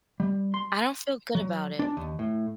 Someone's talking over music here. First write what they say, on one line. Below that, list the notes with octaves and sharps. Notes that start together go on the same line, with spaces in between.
I don't feel good about it.
G3
C6
F#3
D4
D#2
A2